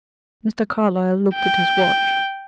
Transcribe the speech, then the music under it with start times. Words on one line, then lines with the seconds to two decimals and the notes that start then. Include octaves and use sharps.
Mr. Carlyle looked at his watch.
1.35 G5